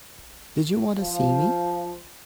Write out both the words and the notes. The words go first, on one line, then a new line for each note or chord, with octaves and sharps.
Did you want to see me?
F3